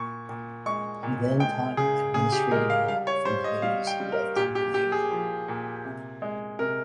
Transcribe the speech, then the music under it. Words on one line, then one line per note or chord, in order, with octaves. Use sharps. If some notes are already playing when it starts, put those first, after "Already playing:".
He then taught administrative law from the University of Copenhagen.
Already playing: A#2 C#6
A#2
G#3 C#6
A#2
G#3 G5
C#3 G#4
C#3 G#4
G4
G#3 A#4
F5
G3 F5
C#5
G3 C5
D#5
G3 F5
G5
G3
A#4
A#2 G4
G4
A#2 G4
G#4
F3
A#2
C3
G#3
C3 A#4